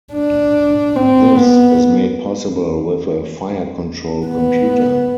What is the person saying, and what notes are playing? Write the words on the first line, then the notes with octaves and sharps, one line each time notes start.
This is made possible with a fire control computer.
D4
C4
B3
B3